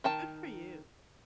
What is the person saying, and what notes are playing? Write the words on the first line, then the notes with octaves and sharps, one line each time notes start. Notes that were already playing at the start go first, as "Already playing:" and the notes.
Good for you.
D#3 G5 A5